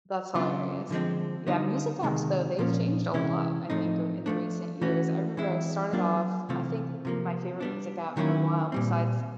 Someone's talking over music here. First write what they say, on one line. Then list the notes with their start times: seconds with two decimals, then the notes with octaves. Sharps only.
That's hilarious. Yeah, music apps though, they've changed a lot, I think, uh, in the recent years, I remember I started off I think my favorite music app for a while besides
0.34 C#3 F#3 B3 D4 F4
0.90 D3 F3 G#3 C4
1.47 D3 G3 B3 D#4
2.03 C3 D#3 G#3
2.58 A#2 F3 A#3 C#4
3.14 C3 E3 G#3 C#4 E4
3.70 A2 F3 A3 C4 D#4
4.26 F3 A3 D4
4.82 E3 A3 C#4 F#4
5.37 E3 G#3 C4 E4
5.93 F#3 A#3 D4 F4
6.49 C3 E3 A3 C4 F4
7.05 C3 F3 A#3
7.60 G3 B3 D4
8.17 D#3 F#3 A#3 C#4 E4
8.72 A#2 G3 C4